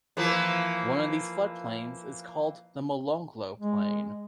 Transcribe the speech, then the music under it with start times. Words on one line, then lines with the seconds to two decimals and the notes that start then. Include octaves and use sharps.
One of these floodplains is called the Molonglo Plain.
0.17 E3 F3 A#3
3.60 G#3